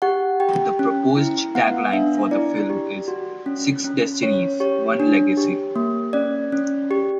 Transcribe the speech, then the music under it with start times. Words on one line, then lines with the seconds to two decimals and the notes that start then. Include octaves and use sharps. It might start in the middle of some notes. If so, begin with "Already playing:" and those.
The proposed tagline for the film is "Six Destinies - One Legacy".
0.02 G4 F#5
0.40 G4 G5
0.79 C#4
1.17 E4
1.55 B3 F#5
1.93 D4 E5
2.31 E4 D5
2.70 G4
3.08 F#4
3.46 C#4
3.84 C#4
4.23 C#4 C#5
4.60 G4 C#5
5.00 D4
5.37 G4
5.76 A#3
6.13 C#4 D5
6.52 C#4
6.91 G4